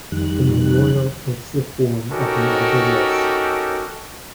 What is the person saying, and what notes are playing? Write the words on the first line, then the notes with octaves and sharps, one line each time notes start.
The memorial takes the form of an Obelisk.
F2 D#3 G3 F#6
C#4 D#4 F#4 G4 A4 A#4